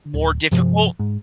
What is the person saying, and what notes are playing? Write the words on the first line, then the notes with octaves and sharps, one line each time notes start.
more difficult.
D1
G2 C3 F3
G#2